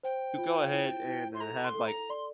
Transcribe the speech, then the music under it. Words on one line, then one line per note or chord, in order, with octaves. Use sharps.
You go ahead and, uh, have, like
C5 G5
F4
E4
E4
C6
A4 A#5
C6
A4
A#5
D5 C6